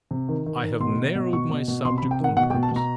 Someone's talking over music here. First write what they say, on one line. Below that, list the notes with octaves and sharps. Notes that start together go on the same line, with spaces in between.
I have narrowed my subject on purpose.
C3
D#3
D#3
D#3
B2 C6
B2
B2
B2 C#6
B2
B2
C3 C6
B5
C3
G5
D#3 F#5
B2 F#5
G5
B2
A5
B2 A#5